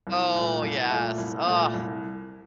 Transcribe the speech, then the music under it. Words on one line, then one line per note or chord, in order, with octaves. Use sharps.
Oh, yes, ugh.
C2
A#2 A3 E4
C2
A#2 A3 E4
C2
A#2 A3 E4
C2